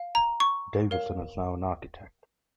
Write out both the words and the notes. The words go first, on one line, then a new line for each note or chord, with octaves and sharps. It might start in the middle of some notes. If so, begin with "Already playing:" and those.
Davison is now an architect.
Already playing: F5
A#5
C#6
A#4 C#5 F5